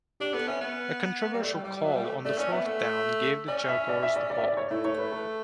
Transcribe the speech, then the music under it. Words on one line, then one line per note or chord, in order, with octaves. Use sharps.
A controversial call on fourth down gave the Jaguars the ball.
D4 G4
B3 A4
C#4 E5
B3
G3
A3 D5
G3
G3 D5
G3
F#3 E5
G3
A3
A3 D5
C#4 D5
B3 E5
A3
C#4 D5
E5
D5
E5
D5
D5
E5
D5
C#5
A3 E4
C#5
B4
A4